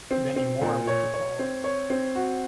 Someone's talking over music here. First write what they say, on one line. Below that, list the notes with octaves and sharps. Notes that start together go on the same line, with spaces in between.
Many more were to follow.
C4
C4
A#2
C#5
C#5
C4
C#5
C4
F#4